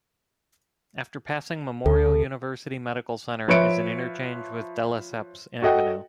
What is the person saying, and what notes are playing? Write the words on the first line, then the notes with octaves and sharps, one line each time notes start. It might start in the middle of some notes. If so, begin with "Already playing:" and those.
After passing Memorial University Medical Center is an interchange with Delesseps Avenue.
D2 A4
F3 B4 C#5 E5 C#7 D7
F#4 A4 D#5 F#5 G5